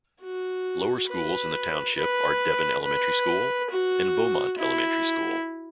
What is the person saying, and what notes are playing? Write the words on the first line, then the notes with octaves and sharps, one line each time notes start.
Lower schools in the township are Devon Elementary School and Beaumont Elementary School.
F#4
B4
B4
B4
F#4
E4